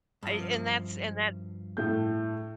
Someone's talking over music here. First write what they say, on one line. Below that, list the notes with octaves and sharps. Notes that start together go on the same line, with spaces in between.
I and that's and that
G2 F3
A2 A3 G6